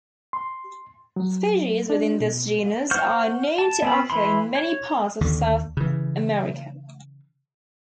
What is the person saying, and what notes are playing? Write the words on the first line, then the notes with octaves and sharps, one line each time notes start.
Species within this genus are known to occur in many parts of South America.
C6
F#3
D4
B2
C5 F#5 C#6 F6 G6
A5
B3 C4 B5
E3 B5 C6
C#5
D#2 D3
C#3 E3